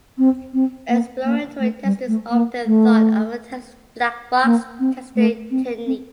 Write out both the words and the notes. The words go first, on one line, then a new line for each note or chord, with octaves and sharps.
Exploratory testing is often thought of as a black box testing technique.
C4
C4
A#3
A#3
A3
G3
A3
A#3
A3
A#3
C4
A3
C4
C4